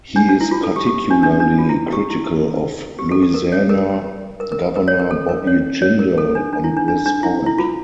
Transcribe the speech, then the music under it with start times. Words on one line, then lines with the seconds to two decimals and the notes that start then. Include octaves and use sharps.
He is particularly critical of Louisiana Governor Bobby Jindal on this point.
0.16 D4
0.29 D4
0.41 E4
0.51 F4
0.63 A4
0.76 G4
0.87 G4
1.10 D4
1.23 D4
1.40 D4
1.58 F4
1.69 E4
1.93 G4
2.10 E4
2.99 G4
3.12 A4
3.23 A4
3.34 A#4
3.52 C#5
3.69 A#4
4.40 A#4
4.52 A#4
4.76 A#4
4.88 C#5
4.99 A#4
5.11 A4
5.29 A#4
5.47 C#5
5.82 C#5
5.99 A#4
6.18 A4
6.35 D4
6.53 D4
6.64 E4
6.77 D4
6.88 D4
7.06 D4
7.23 E4
7.46 E4
7.58 F4